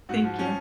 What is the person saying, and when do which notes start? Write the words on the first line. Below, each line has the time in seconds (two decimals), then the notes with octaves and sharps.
Thank you.
0.09 G#2 F#4
0.24 F3
0.38 F3 C#4